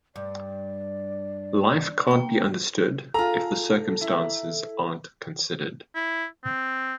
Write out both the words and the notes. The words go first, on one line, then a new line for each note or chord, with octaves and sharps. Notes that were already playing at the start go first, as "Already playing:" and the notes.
Life can’t be understood if the circumstances aren’t considered.
G2 D5
A#3 G5
F4 G#4 A4 A#5
E4
E4
C4